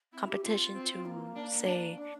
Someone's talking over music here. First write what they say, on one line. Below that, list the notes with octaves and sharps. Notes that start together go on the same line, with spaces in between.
competition to say,
C4 E4
G4
C4 F4
C4
A#3
D4
D4
D4